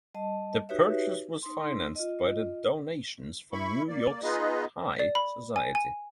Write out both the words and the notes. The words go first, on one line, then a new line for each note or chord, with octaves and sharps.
The purchase was financed by the donations from New York's high society.
G3 D#5 A5
D#4 F#4 G4 B4 C#5 E5
D#4 C6
F4 D#5
E4 B5 C#6
A#3 D5
B3 D#4 F4 G#4 B4 D#5
D5
B5
G#5
G#5